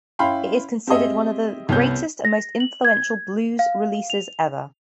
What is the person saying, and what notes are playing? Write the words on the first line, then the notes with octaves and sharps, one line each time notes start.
It is considered one of the greatest and most influential blues releases ever.
C#4 E4 F5 G5 B5 C6
C4 G4 G#4 D#5 E5
C2 B3 C#5 G6
A#6
F#7
G#6
F5
F7